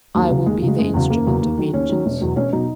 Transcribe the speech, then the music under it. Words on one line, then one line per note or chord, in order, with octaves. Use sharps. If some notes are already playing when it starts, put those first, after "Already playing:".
"I will be the instrument of vengeance."
D#2 F#3
C#3 F#3
D#2 G#3
C#3 F#3
G#3
F#1 G#3
E2 C#3 F#3
F#1 A#3
E2 C#3 F#3
D#2
D#3 F#3
D#2 C#4
D#3 F#3
E1
E2 B2 F#3
E1 C#4
B2 F#3 D#4